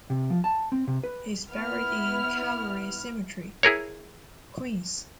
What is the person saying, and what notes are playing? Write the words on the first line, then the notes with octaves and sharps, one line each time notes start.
He is buried in Calvary Cemetery, Queens.
C3
F3
A5
C4
C3
B4
B3 E4 F6
E4 G#4 A#4 C#5